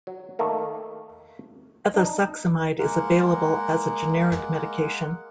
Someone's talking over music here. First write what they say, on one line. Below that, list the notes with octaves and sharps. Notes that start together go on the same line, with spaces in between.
Ethosuximide is available as a generic medication.
F#3
D#3 A3 A#3
D4 D#4
G#3 A#3 A#4 F#5